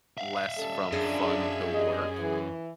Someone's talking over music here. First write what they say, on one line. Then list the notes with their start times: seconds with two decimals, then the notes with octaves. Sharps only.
less from fun to work,
0.18 E5 F5
0.57 G3 C#4 A4
0.92 F#2 D3 F3 D4 G#4
1.73 D4 G4 D#5
2.19 E3